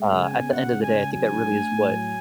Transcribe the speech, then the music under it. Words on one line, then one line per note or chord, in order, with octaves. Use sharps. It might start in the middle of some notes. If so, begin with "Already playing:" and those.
uh, at the end of the day, I think that really is what
Already playing: G#3
C#3
G#5
B3
C#3 F#5
G#3
G#5
C#3
F#3 G#5
D4
A3
A2
F#3